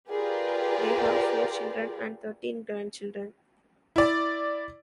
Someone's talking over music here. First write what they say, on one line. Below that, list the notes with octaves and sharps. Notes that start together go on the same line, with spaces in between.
They have four children and thirteen grandchildren.
F4 G4 G#4 A#4 B4 D5
E4 D5